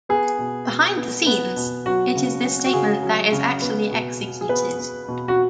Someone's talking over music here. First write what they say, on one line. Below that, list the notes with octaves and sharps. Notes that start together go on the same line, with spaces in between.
Behind the scenes, it is this statement that is actually executed.
B3 G#4
B2
B2
B3
B3
B2
F#3 F#4
C#3
C#4
F#4
C#3 G#4
F#3
C#3
B3
B2
B2
G#4
B3 B4
B3
B2
F#4